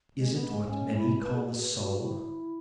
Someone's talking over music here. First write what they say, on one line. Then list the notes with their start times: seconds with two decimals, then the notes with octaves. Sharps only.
Is it what many call the soul?
0.16 G#3
0.34 B3
0.51 G#3
0.68 C#4
0.95 E4
1.21 B4
1.34 G#4
1.48 F#4
1.61 B4
1.74 F#4
1.91 F#4
2.01 E4